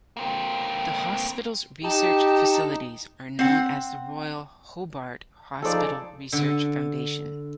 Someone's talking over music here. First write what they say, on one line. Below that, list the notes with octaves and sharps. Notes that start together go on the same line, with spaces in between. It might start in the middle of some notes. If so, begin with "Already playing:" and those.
The hospital's research facilities are known as the Royal Hobart Hospital Research Foundation.
A#3 C4
D#4 G4 A4
C4 F#5
F3 D#4 G#4 A4 D5
D3